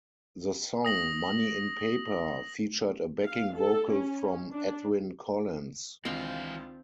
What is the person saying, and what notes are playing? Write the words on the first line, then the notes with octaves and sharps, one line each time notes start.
The song 'Money In Paper' featured a backing vocal from Edwyn Collins.
D#6 A#6 F#7
F5
A4
C#4
D4
C#2 D#3 E3 C4 D4 F4 F5 G5